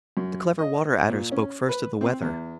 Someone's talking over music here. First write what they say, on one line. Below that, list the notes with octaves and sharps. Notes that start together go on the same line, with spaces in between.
The Clever Water-Adder spoke first of the weather.
F#2
D#5
A#2
C#4
B4
C4
E2